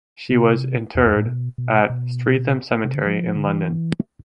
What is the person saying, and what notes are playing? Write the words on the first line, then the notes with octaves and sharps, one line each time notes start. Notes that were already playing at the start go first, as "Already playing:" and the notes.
She was interred at Streatham Cemetery in London.
C3
E2
F2
A2
B2
B2
B2
C3
D3
F3
D3
E3